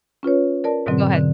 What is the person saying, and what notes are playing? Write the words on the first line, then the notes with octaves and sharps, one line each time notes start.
Oh, go ahead.
C#4 F4 B4 C#5
A#4 D5 A5
G#2 B2 D3 F#3 C4
D3